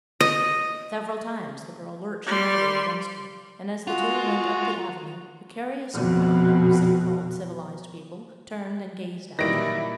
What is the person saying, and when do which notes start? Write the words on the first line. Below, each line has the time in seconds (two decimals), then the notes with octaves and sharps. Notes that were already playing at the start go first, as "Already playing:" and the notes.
Several times the girl lurched heavily against her, and as the two went up the avenue a curious crowd of so-called civilized people turned and gazed at them.
0.21 D#5
2.27 G3 C6
3.87 G#3 F4 F#4
5.94 F2 B2
9.39 A#2 D#3 E3 F#3 G3 E4 A#6 D7